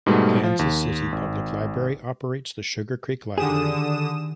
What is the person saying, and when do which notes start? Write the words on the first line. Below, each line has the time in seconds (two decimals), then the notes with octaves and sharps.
Kansas City Public Library operates the Sugar Creek Library.
0.06 G#2 B2 G3 A3
0.43 F3 F4
0.59 D#2
1.12 G#1
3.38 D3 D#3 G4 G#4 D#6 E7